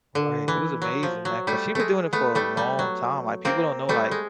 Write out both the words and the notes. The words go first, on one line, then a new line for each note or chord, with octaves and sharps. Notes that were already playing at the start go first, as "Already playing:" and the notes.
Right, it was amazing, man, 'cause she's been doing it for a long time. Like, people don't know, like,
D3
E3
F#3
F3
F#3
G3 A3
G#3 A3
A3 B3
G3 A3
G3
F#3
A#3 C4
G3 A3
G#3